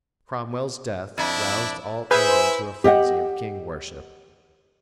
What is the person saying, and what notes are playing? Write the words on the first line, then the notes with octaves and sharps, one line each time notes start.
Cromwell's death roused all England to a frenzy of king-worship.
F2 D4 E4
E4 G#4 B4 C5 E5 G#5 G6
G4 D#5 E5 F#5